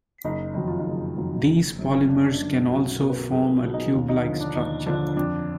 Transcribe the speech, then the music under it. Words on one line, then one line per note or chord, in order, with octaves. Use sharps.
These polymers can also form a tube-like structure.
F#1 D#4
F2 D#3 F#3 D#4
F4
D#4
F#1
F2 D#3 F#3
F#1
F#2 D3
F#1 D4
D4
F#2 D3 D#4
B1 F#4
B2 F#3 A#4
B4
A#4
B1 G#4
F4
B2 F#3
D#4
D#2
D#4
D3 F3
D4
D#2 D#4
D3 F3 D4
F2 D4